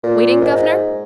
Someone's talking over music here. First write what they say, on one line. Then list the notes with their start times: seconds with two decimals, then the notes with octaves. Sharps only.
Waiting, guvnor?
0.03 A#2
0.41 G#2